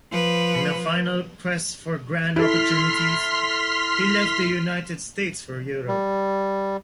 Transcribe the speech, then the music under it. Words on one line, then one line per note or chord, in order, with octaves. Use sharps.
In a final quest for grand opportunities, he left the United States for Europe.
F3 B4
E4 A4 C6 F6 B6
G3